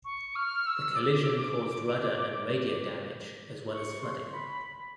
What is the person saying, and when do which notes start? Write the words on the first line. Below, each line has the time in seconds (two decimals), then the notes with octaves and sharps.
The collision caused rudder and radio damage as well as flooding.
0.05 C#6
0.36 F6
0.66 E6
0.96 D6
3.73 C#6
4.03 C6
4.34 B5